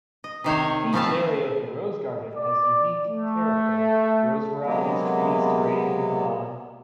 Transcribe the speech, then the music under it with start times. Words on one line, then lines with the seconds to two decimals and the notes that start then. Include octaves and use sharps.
Each area of the rose garden has unique character: rose varieties, trees, terrain, lawn.
0.24 D#5
0.44 C3 D#3 C5 C#5
0.93 C#3 F3 A3 C4 F5 A5
2.34 D5
3.07 A3
4.66 C3 F#3 G#3 A#3 B3